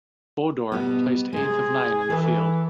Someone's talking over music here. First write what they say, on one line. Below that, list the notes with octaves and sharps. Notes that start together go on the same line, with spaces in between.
Bodor placed eighth of nine in the field.
B2 G3 B3
C3 G#3 G#4
E3 A4 B4